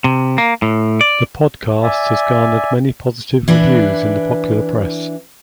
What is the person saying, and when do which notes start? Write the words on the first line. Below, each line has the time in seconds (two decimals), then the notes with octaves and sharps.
The podcast has garnered many positive reviews in the popular press.
0.04 C3
0.38 A#3
0.62 A2
1.01 D5
1.83 D5 E5 G#5
3.48 E3 D4 B4